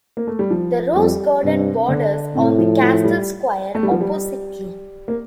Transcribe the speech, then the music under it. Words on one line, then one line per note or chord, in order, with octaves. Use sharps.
The rose garden borders on the castle square oppositely.
A#3
A3
G3
F3
F2 G3
G2 C3 C4
D3 D4
A2 C3 C4
F3
F3
G3
A3
G3
F3
G3
A#3